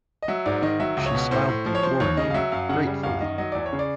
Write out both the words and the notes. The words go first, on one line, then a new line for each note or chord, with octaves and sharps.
She smiled imploringly, gratefully.
D#5
F#3 E5
G#2 D5
D#3 D#5
F#3 E5
C#2
C#5
B2
A2 C5
A2
F3
C#5
F3 C5
D#2 C#5
C#3 D#5
F5
F#3 E5
F#2 F5
C#3 F#5
G3
F#2 F5
D#3 D#5
F#3 D#5
E2 D5
C#5
C#3
D5